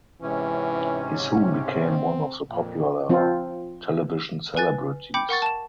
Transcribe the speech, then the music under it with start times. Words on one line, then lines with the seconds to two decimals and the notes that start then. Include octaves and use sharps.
He soon became one of the popular television celebrities.
0.22 G#2 C3 E3 C#4
1.62 C4
2.49 F2 A#2
3.09 F3 C4 F4
4.56 B4 G#5 F#6 A6
5.14 G5 B5 D6 G6 C#7
5.29 A#4 F#5 C#6 A6
5.42 A5 E7